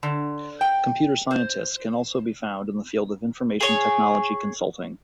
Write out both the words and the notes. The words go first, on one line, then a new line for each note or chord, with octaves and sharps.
Computer scientists can also be found in the field of information technology consulting.
D3
G5
C5
G#4 C#5